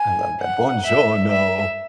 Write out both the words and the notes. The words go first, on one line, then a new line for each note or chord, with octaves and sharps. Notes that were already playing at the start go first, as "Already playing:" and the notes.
I love that. Buongiorno.
Already playing: G#5
F#5
E5
E5